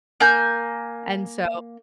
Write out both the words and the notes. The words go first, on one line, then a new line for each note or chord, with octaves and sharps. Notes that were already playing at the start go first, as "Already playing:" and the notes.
and so,
A#3 G#5 G6